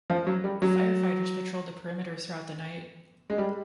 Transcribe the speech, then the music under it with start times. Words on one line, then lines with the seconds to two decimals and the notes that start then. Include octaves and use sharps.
Firefighters patrolled the perimeter throughout the night.
0.10 F3
0.27 F#3
0.44 G3
0.62 F#3
3.30 G#3
3.38 G3